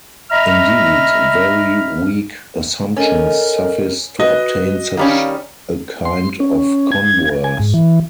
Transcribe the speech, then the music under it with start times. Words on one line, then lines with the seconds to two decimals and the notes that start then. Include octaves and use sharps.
Indeed, very weak assumptions suffice to obtain such a kind of converse.
0.31 D#5 E5 A#5 B5 F6
2.97 C#4 A4 A#4 D#5 G#5
4.20 F#4 B4 D#5
4.97 D#3 G3 C#4 F5
6.05 C6
6.40 C#4
6.92 G#6
7.44 G#5
7.60 G#2
7.74 E3